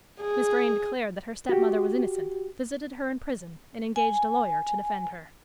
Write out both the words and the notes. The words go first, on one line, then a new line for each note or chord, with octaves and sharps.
Miss Vrain declared that her stepmother was innocent, visited her in prison, and engaged a lawyer to defend her.
G#4
F#4 G4
G#5